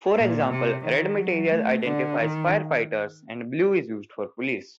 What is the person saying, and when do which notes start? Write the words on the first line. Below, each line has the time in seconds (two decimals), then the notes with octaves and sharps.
For example, red material identifies fire fighters, and blue is used for police.
0.17 A#2
0.51 C3
0.85 D#3
1.18 F#3
1.51 A3
1.86 D3
2.19 D#3